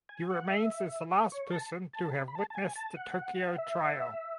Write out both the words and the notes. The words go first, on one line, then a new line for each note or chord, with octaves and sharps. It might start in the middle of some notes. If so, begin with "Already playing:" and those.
He remained as the last person to have witnessed the Tokyo Trial.
G#5
F#5
E5
C#5
A5
A5
B5
B5
A5
A5
G#5
A5
F#5
F#5
E5